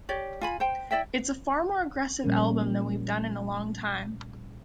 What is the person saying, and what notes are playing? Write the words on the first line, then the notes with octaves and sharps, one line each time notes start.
It's a far more aggressive album than we've done in a long time.
G4 C#5 D5
F4 G#5 B5
C5 G5
E4 D5 E5 G5
A#2 F3 G3 C#4 A#4